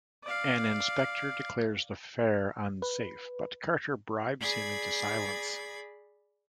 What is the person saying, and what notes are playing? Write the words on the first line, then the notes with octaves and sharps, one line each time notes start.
An inspector declares the fair unsafe but Carter bribes him into silence.
D5 F5
B4
G#4 D5 B5 G#6